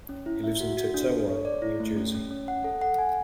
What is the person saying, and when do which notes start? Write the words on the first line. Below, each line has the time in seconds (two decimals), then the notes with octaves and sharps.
He lives in Totowa, New Jersey.
0.09 C#4
0.26 E4
0.44 E5
0.60 F#4
0.77 F#4
0.94 D4
1.11 A4
1.28 C#5
1.45 D5
1.62 E4
1.80 A3
1.97 C#4
2.14 C#4
2.31 C#4
2.48 F#5
2.64 A4
2.81 F#5
2.99 G#5